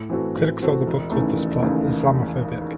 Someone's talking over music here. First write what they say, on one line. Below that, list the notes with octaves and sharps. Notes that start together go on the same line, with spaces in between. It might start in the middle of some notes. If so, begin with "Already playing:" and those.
Critics of the book called this plot "Islamophobic".
Already playing: A2
E3 C4 F#4 A4
A2
E3 C4 F#4 A4
E1
D#2 C#3 E3 A3
E1
D#2 C#3 E3 A3